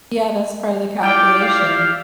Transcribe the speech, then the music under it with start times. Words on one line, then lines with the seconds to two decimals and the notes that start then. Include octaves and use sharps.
yeah, that's part of the calculation,
1.03 E4 F4 G4 D5 G5
1.42 F5